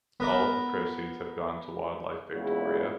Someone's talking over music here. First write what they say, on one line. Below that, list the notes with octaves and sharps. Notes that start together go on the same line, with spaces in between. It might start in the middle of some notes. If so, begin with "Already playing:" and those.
All of the proceeds have gone to Wildlife Victoria.
B3 A#4 D6
E2 A#2 C#3 G#3 E4 F#4